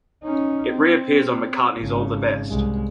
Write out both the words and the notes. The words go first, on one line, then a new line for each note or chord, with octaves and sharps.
It reappears on McCartney's All the Best!
C#4 D#4
C4
G#1 C#3
C2 G#3